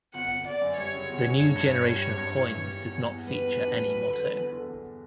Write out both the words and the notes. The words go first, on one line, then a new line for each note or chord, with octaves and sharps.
The new generation of coins does not feature any motto.
G1 F#5
G1
G1 D5
F#2
G3 C#5
C#3
G1
C#3
G2
G2
G2
G3
G3
G2
E3
G2
G3
E2
E2
E2
G3 B4
E2
D4
G3
F#3
D3
D3
E2
D3
E2